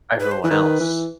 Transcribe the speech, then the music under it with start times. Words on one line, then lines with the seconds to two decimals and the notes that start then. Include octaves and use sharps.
everyone else?
0.20 B4
0.31 C5
0.43 E3 B4
0.50 D#3
0.80 E3